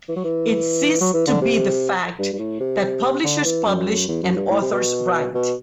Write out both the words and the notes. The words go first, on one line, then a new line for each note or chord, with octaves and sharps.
It ceased to be the fact that publishers publish and authors write.
E3
F#3
E3
F#3
E3
D3
C3
G2
G2
A2
C3
D3
E3
F#2
E2
F#2
G2
A2
C3
B2
B2